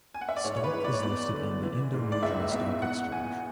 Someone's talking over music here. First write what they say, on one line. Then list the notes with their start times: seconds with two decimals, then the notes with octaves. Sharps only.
Stock is listed on the Indonesia Stock Exchange.
0.14 G#5
0.21 F#5
0.29 E5
0.36 D5
0.44 G#2 C#5
0.56 C#5
0.64 B4
0.73 E3
0.84 D5
0.93 C#5
1.03 E2 D5
1.33 D3
1.63 E3
1.93 G#2
2.12 D5
2.23 C#2 E5
2.52 B2 E5
2.82 E2 F#5
3.12 E2 G#5